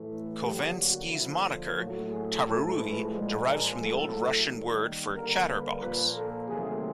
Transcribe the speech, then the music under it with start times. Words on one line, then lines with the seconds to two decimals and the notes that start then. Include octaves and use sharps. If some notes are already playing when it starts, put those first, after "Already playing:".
Khovansky's moniker, Tararui, derives from the old Russian word for "chatterbox".
Already playing: A2 E3 A3
0.44 D3 F#3 A#3 G4
0.77 F#4
1.11 D3 F3 A#3 E4
1.77 A2 F#3 A3 F#4
2.11 G#4
2.45 A2 F3 G#3 A4
2.79 B4
3.12 A#2 F3 G#3
3.45 A#4
3.79 A2 F#3 A3 A4
4.46 D#3 G3 A#3
5.13 D3 G3 A#3 A#4
5.47 B4
5.81 A#2 F3 A#3 B4
6.14 A4
6.48 C3 D#3 F#3 A3 G#4